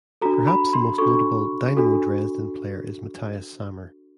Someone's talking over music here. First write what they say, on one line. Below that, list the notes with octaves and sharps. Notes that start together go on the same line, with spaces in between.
Perhaps the most notable Dynamo Dresden player is Matthias Sammer.
D4 F#4 A4 A#5
B5
C6
D4 F#4 A4 C#6
D4 F#4 A4